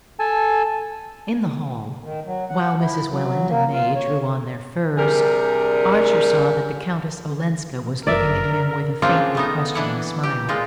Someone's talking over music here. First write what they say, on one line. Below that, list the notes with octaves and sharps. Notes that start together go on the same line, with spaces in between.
In the hall, while Mrs. Welland and May drew on their furs, Archer saw that the Countess Olenska was looking at him with a faintly questioning smile.
A4 G#5 A5
D#3
F#3
F#5
E4
F#3
A#3
F4
C#5
C3 G3 D4 G#4 A#4
G1 F#2 A#4 D5 E5
D3
C#3 F3 A#3 C4 D4 F4
A3 B3 D#4
E3 D4 E4 F#5 G#5
G4
A#2 G#3 F4